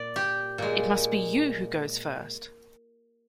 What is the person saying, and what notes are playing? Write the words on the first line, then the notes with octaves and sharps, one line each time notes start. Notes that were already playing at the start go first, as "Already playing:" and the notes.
It must be you who goes first!
Already playing: A#2 D5
G4
A#2 G#3